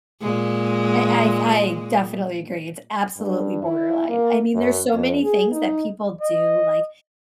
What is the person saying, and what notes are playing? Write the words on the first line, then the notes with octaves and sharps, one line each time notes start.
I I I definitely agree, it's absolutely borderline. I mean, there's so many things that people do, like,
A#2 G#3
G2
E4
A#3
F#2
F2
G#4
D#4
D#5